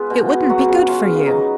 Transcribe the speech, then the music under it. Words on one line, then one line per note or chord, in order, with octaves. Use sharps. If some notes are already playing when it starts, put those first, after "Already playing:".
It wouldn't be good for you.'
Already playing: G#3 B3 F4
B2
B3
F#3 F#4 F#5
C#3
C#3 F4 F5
B3
F5
F#3 D#4 D#5